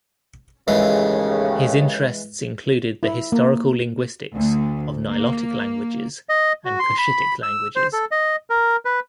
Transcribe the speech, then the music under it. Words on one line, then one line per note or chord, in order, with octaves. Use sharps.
His interests included the historical linguistics of Nilotic languages and Cushitic languages.
D#2 A2 C#3 E3 G#3
E4
A#3
D2
A#3
D#5
F#4
C6
B5
E6
C5
A4
D#5
A#4
B4